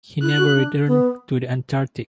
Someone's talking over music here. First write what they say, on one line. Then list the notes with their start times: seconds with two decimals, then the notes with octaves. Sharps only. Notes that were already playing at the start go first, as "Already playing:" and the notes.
He never returned to the Antarctic.
0.22 E4 F#6
0.37 F#4
0.54 D4
0.87 B3